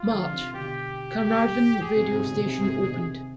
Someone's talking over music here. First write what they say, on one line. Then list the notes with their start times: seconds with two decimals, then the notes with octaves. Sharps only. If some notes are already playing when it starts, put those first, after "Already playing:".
March: Carnarvon Radio station opened.
Already playing: F4
0.11 D3 F3
0.22 D3
0.32 C3 D#3
0.53 B2 D3 G4
1.18 G4
1.81 G#4
1.97 G#2 C3
2.12 G#2 C3
2.28 B2 D3
2.45 C3 D#3
2.60 G#2 C3
2.76 B2 D3
2.92 C3 D#3